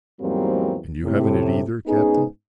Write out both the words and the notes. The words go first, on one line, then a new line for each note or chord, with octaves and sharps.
"And you haven't it either, captain?"
E2 G#2 F#3 G3 A#3 C4
A2 C3
G#2 B3 C#4 D#4 G#4